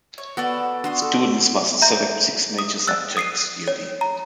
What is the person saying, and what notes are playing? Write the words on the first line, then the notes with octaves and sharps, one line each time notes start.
Students must select six major subjects yearly.
C#5
B3 F#4 A4 D5
D4 F#4 C6 D#6
A4
E5 A#5 G6
D#6
E6 F#6 A6
D#6 C7 D#7
C#5
A#5